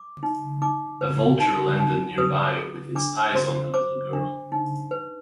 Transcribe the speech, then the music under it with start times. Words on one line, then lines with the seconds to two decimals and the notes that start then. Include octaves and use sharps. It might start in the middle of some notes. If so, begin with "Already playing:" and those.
A vulture landed nearby with its eyes on the little girl.
Already playing: D6
0.23 D#4
0.62 D#4 D6
1.01 B4
1.40 D#4
1.79 D#4
2.18 B4 D#6
2.57 G#4
2.95 D4 D6
3.35 C5 C6
3.74 C5 D6
4.13 D4
4.52 D#4
4.91 B4